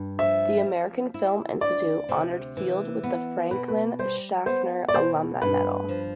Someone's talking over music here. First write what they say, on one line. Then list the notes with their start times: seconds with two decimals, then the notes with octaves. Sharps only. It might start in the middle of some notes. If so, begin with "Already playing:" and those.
The American Film Institute honored Field with the Franklin Schaffner Alumni Medal.
Already playing: G2
0.19 F3 E5
0.66 C4
1.14 E4
1.61 D2 D5
2.09 C3
2.57 E3
3.03 B3
3.51 B2 B4
3.68 B4
3.99 G3 C5
4.46 B3 C5
4.88 D5
4.93 B2 C5
5.41 G2 B4
5.89 F3